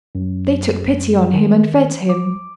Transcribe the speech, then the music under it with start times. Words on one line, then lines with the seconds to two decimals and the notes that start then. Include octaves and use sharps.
They took pity on him and fed him.
0.15 F#2
1.33 D#3
2.09 D6